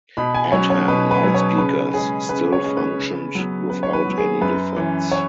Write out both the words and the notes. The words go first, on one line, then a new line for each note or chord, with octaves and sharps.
Adhan loudspeakers still functioned without any defects.
B2 B5
G#5
F#3 C#4 C#5
C#5
B2 B4
B4
F#3 C#4
C#5
C#3 B4
G#3 C#4 G#4
C#3 B4
C#5
G#3 C#4
B4
C#3
F#3 B3
C#3 B4
C#5
B4
F#3 B3
G#4
F#2 B4
E3 C#4
C#5